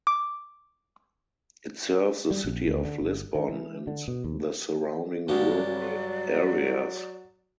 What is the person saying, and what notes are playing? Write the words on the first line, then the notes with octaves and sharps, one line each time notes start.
It serves the city of Lisbon and the surrounding rural areas.
D6
G3
A#1
D2
D3
G1
D#3
E3
D3
B2
D#2
G2 C#3 F#3 G#3 F#4 D5